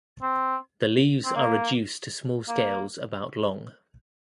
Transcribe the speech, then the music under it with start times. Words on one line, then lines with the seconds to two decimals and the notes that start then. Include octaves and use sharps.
The leaves are reduced to small scales about long.
0.22 C4
1.25 C4
1.35 A#3
2.48 A#3